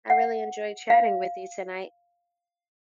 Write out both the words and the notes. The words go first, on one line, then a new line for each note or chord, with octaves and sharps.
I really enjoyed chatting with you tonight.
F#5
F5